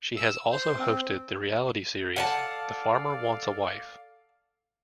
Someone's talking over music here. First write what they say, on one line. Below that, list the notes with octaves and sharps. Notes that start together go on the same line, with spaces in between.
She has also hosted the reality series "The Farmer Wants a Wife".
E6
C5
C4
A4 D5 F5 F#5 G#5 A5